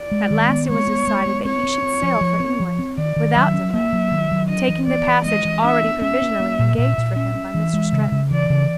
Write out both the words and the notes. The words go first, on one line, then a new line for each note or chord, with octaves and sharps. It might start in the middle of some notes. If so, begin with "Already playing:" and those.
At last it was decided that he should sail for England without delay, taking the passage already provisionally engaged for him by Mr. Stretton.
Already playing: D5
G#3
D#3
B3
G#3 C#5
B3
G#3
B3
C4 C#5
C4
C4
F3
F3
C4
F3
C4
D#3 D5
D#3
F#3 E5
C#4
A#3 E5
F#3
D#3
F#3
D4 D#5
E3
B3 D5
E3
G#3 D#5
E3
D4 E5
B3
C#4 E5
C#4
A#3
A#2
A#2 E5
A#2
C#4 E5
C#4
E3
G#3
C#3
C#3
E3 D5
C#3